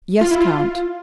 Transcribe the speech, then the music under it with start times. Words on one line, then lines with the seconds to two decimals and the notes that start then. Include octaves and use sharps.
"Yes, count."
0.21 F4
0.31 E4
0.41 F4